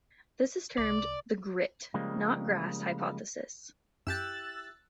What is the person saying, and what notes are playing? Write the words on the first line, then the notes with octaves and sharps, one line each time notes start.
This is termed the Grit, not grass hypothesis.
C2 D5
C#3 F3 G3 G#3 A#3
F#2 E4 G4 E6 F#6 A6